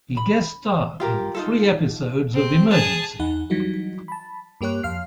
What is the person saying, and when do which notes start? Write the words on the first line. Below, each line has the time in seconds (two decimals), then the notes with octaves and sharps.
He guest starred in three episodes of Emergency!
0.17 B5
1.00 F4 G4 A#4
1.35 D#4 F4 A4
2.34 C4
2.72 G#4 A5
3.19 E2 D#4 F#5
3.50 E3 F#3 G3 D#4 F#4
4.08 A5 B5
4.61 G2 A#3 G4 C#5 F#6
4.83 F2 F5 F6 C7